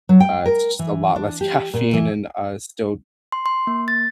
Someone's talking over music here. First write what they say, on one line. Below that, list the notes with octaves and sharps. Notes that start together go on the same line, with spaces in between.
uh, it's just a lot less caffeine and, uh, still
F#3
G5
A#4
E3
D4
G4
A#2
E3
C6
C6
A#3
A6